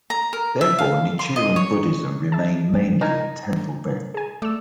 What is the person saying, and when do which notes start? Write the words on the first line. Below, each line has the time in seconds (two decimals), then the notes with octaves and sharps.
Therefore, Nichiren-Buddhism remained mainly temple-based.
0.10 A#5
0.33 A#4
0.61 E5
0.79 F5
1.19 C6
1.36 D#5
1.56 C#5
2.32 E5 A5
3.01 D#4 A#4 G#5
4.14 G#4 G#5
4.42 A3 D5 E6